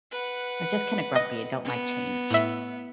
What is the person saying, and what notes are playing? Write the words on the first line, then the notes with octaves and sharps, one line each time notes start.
are just kinda grumpy and don't like change.
B4 F#5
D#5
B3
A2 E5